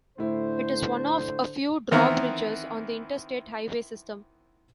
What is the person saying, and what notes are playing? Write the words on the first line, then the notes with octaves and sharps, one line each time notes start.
It is one of a few drawbridges on the Interstate Highway System.
A2 D3 E4 C5
D#3 E3 B3 C4 E4 A#4